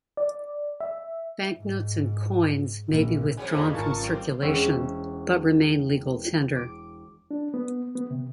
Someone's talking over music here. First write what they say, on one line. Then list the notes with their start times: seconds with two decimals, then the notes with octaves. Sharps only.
Banknotes and coins may be withdrawn from circulation, but remain legal tender.
0.17 D5
0.80 E5
1.57 G#2
2.89 A#1
3.37 G#2 F#3 G3 C#4 G#4
3.55 F2 A#3 F4 D5 D#5 G#5 B5
3.74 G#1 G2 C#4 F4 A#4 A5 C#6
4.01 G3 C4
4.42 E1 C#4 C5 C#6 E6
6.56 D6
7.31 D4
7.54 B3
7.96 B3
8.11 C3